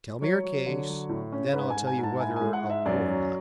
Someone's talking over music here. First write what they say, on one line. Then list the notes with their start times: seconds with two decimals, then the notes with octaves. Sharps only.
Tell me your case, and then I'll tell you whether I'll go or not.
0.21 F#3 C#5
0.43 F#3
0.66 D3
0.88 F#3
1.09 A2
1.32 C#4
1.53 G#2 B4
1.70 G#5
1.76 G#2
1.87 G#5
1.98 G#2
2.03 A5
2.20 E4 G#5
2.36 G#5
2.41 G#3
2.53 F#5
2.63 G#2
2.70 E5
2.85 F#2 D5
3.08 F#3